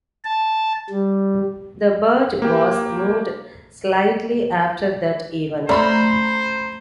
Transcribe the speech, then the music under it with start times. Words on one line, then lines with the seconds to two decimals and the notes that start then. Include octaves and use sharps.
The barge was moved slightly after that event.
0.25 A5
0.90 G3
2.42 A#3 G4
5.69 A3 C#4 F#4 C5 D5 A#5 B5